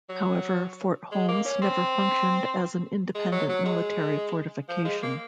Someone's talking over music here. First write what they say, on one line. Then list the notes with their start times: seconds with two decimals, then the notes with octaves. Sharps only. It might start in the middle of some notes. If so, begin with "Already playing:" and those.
However, Fort Holmes never functioned as an independent military fortification.
0.09 F#3
1.12 G#3
1.28 A#3
1.46 C#4
1.62 C4
3.15 G#3
3.32 F#3
3.49 F#3
3.65 G#3
4.69 F3
4.85 G#3
5.02 A#3